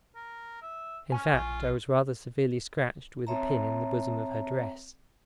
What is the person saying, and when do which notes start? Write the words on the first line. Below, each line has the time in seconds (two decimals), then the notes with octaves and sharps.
In fact I was rather severely scratched with a. pin in the bosom of her dress.
0.16 A#4
0.62 E5
1.12 C#4 G#5 C#6 F6
1.33 A#1 F4
3.27 C4 C#5 E5 A5 A#5